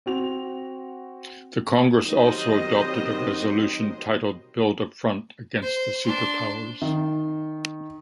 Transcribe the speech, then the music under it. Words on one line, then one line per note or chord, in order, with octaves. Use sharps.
The congress also adopted a resolution titled 'Build a front against the Super Powers'.
C4 F#4 F7
D#3 F#3 G3 C4 C5 D#5
C5
D4 C6
D#3